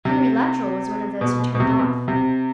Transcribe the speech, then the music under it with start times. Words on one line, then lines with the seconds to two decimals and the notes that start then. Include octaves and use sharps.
Henry Luttrell was one of those who turned off.
0.05 C3
1.21 B2
1.40 B2
1.55 B2
1.60 C3
1.79 B2
2.08 C3